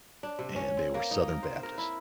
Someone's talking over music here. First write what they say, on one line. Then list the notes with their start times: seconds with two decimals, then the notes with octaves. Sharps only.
and they were Southern Baptists.
0.23 D4
0.39 C3
0.56 C#4
0.77 C4
0.94 A#3
1.11 D#4
1.28 A#4
1.43 C5
1.63 A#4
1.78 E4